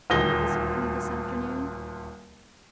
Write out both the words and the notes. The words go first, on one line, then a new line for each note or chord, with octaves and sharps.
Going to visit with me this afternoon?
D#1 D2 D#6 A#6 G7